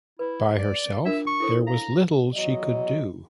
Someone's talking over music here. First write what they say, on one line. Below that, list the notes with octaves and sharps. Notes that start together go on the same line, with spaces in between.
By herself, there was little she could do.
E4 B4
D5
D4 F4 A#4 E5
C#6
E4 A4 C5
F5 A#5
E2 F#3 D#5